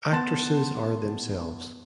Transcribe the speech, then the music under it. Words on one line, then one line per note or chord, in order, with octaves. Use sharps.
Actresses are themselves.
B3 A5 C6 F#6 A6 E7